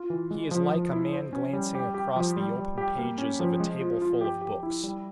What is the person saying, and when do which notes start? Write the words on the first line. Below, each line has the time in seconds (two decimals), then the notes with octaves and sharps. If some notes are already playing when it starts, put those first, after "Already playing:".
He is like a man glancing across the open pages of a tableful of books.
Already playing: F4
0.10 E3
0.31 G#3
0.51 F3
0.71 F3
0.93 E4
1.12 C5
1.33 C#4
1.53 G3
1.75 G4
1.94 G4
2.16 F3
2.37 G3
2.56 G3
2.78 G4
2.98 A#3
3.18 C#4
3.39 F3
3.60 G#3
3.80 F4
4.02 F4
4.21 G4
4.42 G4
4.63 E4
4.84 G3